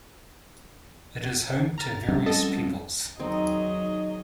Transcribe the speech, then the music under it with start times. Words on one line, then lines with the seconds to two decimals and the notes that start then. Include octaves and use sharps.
It is home to various peoples.
1.78 A#5 F6 A6
2.09 G3 C4 C#4
2.26 A4 D#5 A5
3.20 D#3 F#3 C4 D#4 G#4 D#5